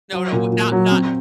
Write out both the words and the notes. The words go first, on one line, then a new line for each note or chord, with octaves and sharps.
No, no, w not not
F#3
A#2
A#2
F#3
C4